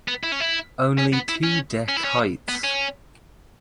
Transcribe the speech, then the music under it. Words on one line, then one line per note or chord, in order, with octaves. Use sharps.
Only two deck heights.
B3
E4
C#4
E4
C#4
B3
E4
C#4
C#4
E4
C#4
B3
C#4